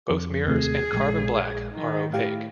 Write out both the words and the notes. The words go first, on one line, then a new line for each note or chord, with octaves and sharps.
Both mirrors and carbon black are opaque.
F2
D#2 C3 A3 G#4
A#1 G#3
D#3
A2 G4 F5